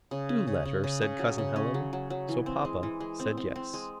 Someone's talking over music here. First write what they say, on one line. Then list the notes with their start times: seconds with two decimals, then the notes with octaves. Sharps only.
"Do let her!" said Cousin Helen, so Papa said "Yes."
0.11 C#3
0.29 C#4
0.47 C#3
0.65 C#3
0.84 C#3
1.01 C#3
1.19 F#3
1.38 C#3
1.56 C#4
1.74 F#3
1.93 F#3
2.10 F#3
2.29 E3
2.46 C4
2.65 G#3
2.83 E3
3.00 G#3
3.19 C4
3.37 C4
3.56 C4
3.74 G#3